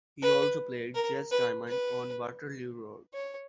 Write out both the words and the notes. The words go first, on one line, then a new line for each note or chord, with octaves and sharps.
He also played Jez Diamond on Waterloo Road.
B4
A#4
B4
B4
C#5